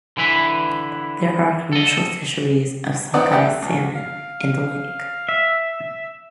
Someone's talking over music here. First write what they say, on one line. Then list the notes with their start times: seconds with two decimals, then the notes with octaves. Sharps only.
There are commercial fisheries of sockeye salmon in the lake.
0.17 D3 E3 E4 B4 E5
1.72 A4 D#5
3.14 B3 C4 D#4 E4 D5 F#5
3.32 G4 D5 E5 F#5 G5
3.44 A3
3.62 C#2
3.95 F5
5.29 E5